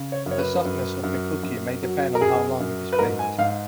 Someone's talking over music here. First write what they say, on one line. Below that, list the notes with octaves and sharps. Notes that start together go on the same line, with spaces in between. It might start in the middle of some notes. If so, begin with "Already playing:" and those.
The softness of the cookie may depend on how long it is baked.
Already playing: C#3
C#5
F#2
C#5
B4
F#2
F#2
F#2
F#3
A#4
F#2 G#4
F#2
B4
G#2 A#4
G#5
G#2 F5